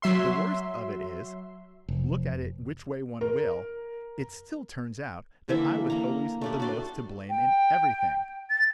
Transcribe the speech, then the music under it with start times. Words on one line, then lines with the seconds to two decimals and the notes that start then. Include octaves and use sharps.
The worst of it is, look at it which way one will, it still turns out that I was always the most to blame in everything.
0.02 F#3 E5 C6
1.89 F1
3.21 A#4
5.48 D3 E3 A#3 E5
5.90 A#3 A#5
6.41 A3 D4 G4
6.60 F#4 D5 C6
7.30 G5
8.50 A6